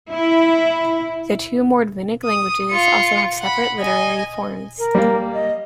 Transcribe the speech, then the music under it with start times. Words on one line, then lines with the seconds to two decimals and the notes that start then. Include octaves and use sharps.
The two Mordvinic languages also have separate literary forms.
0.12 E4
2.25 D#6
2.70 F4 C#7
3.41 F#5 B5
3.80 D#5 G#5
4.79 A#4
4.95 G3 A#3
5.34 D#5